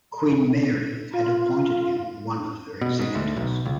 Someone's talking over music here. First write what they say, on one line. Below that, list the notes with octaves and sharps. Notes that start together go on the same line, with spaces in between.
Queen Mary had appointed him one of her executors.
F4
B2
G#2
D2
B1
C#2